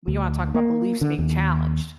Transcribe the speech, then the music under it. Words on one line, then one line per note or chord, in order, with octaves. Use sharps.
you wanna talk about beliefs being challenged.
D2
A#3
D3
D#2